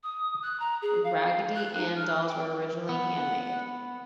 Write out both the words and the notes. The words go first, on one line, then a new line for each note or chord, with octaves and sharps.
Raggedy Ann dolls were originally handmade.
D#6
F#6
A#5
G#4
F5
F#6
D#4
F6
G5
B3 F#5